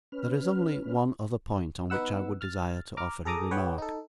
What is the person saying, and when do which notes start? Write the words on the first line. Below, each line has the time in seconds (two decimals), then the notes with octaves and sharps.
There is only one other point, on which I would desire to offer a remark.
0.12 C#4 B4 F6
1.90 B3 D#4 B4 F#5 E6
2.41 F6 A6
2.97 A#5 D6 F6
3.25 G#4 A4 A#5 D6 D#6
3.51 G#4 B4 C#5 F#5 G5
3.78 D#4 A4